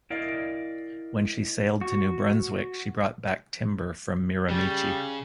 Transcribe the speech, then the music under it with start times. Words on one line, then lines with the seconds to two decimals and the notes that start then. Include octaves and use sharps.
When she sailed to New Brunswick she brought back timber from Miramichi.
0.10 E4 A#4 D5 D#5 F5
1.81 F#4
4.50 C#3 G3